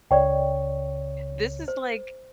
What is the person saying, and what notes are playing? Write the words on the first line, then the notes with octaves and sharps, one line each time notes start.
this is, like
C#2 C#3 C#5 D5 G5
C5